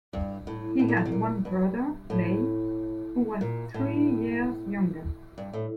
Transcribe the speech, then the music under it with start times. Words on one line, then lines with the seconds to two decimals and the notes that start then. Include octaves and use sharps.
He had one brother, Leigh, who was three years younger.
0.13 G2
0.47 A2
0.79 A2
0.88 A#2
0.97 A2
1.05 C3
1.12 A#2
1.45 G2
2.10 A2
3.41 A#2
3.74 A2
5.38 G2
5.53 A2